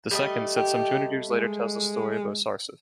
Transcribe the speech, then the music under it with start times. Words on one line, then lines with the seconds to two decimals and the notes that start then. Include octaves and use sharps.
The second, set some two hundred years later, tells the story of Osarseph.
0.11 G3 A3 D#5
0.57 G4
1.30 G#3